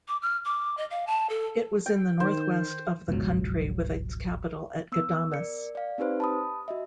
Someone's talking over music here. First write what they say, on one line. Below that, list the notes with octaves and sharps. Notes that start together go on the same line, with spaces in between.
It was in the northwest of the country with its capital at Ghadames.
D6
F6
D6
D#5
F5
A5
A4
G5
D#3 C5
G1 C#2 G#2 B2 F3 F#3
B3 E6
A#4 D5 C#7
D5 F5
C4 D#4 G4 B4 C5
A5 B5 D#6
F#4 D#5 E5